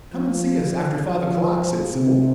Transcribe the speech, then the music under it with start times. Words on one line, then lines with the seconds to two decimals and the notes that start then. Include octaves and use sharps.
"Come and see us after five o'clock," said Sybil.
0.12 F3
1.03 F3
1.93 C3